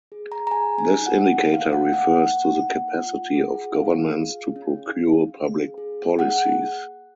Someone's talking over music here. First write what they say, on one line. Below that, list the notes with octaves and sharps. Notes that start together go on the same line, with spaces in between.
This indicator refers to the capacity of governments to procure public policies.
G#4
A#5
A#5
G#4 G#5
G#5
D#4
F#5
A#3
F5
A#3 F#5
F#5
A#3
D#4
F4
G#4
F4 F5
G#4
C#4
C#4
G#4
G#4
A#3 F#5